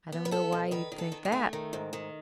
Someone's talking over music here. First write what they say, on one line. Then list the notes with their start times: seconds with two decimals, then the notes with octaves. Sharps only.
"I don't know why you'd think that."
0.12 B3
0.25 B4
0.31 B3 A4
0.52 B2
0.71 D#3 B4
0.92 D#3
0.98 A4
1.12 D#3
1.25 G#4
1.32 A3
1.53 D#3
1.73 G#2
1.93 D#3